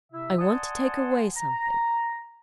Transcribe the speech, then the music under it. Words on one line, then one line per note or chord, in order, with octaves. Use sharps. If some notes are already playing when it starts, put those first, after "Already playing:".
I want to take away something.'
C3 E4 E5
D5 F#5 G#5 A5 C6 D#6
A#5